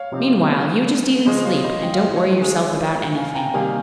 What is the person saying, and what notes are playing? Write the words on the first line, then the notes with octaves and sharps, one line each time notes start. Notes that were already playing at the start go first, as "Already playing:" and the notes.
Meanwhile you just eat and sleep, and don't worry yourself about anything.'
Already playing: C#5 F5
C3 F3 C4 D#4
C#3 F3 G#3 C#4 C5 D#5
C#5 F5
C5 D#5
G5
F5
D#5
C#5 F5
D#3 G#3 C#4
F5 G#5
G5 A#5
C3 D#3 G3 A#3 F5 G#5